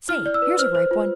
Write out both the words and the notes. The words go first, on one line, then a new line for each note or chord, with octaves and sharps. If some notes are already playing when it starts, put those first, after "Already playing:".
Say--here's a ripe one.
E4 F6
D5
E6
B4
C5 F6
C5
F4